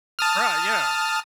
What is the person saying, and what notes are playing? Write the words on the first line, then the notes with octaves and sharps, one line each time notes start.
Right, yeah.
A5 D#6 F6